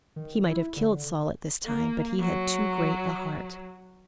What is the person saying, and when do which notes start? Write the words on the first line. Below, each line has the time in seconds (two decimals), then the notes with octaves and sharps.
He might have killed Saul at this time, but he had too great a heart.
0.16 D#3
0.51 E4
0.77 D3
1.65 A#3
2.20 F#3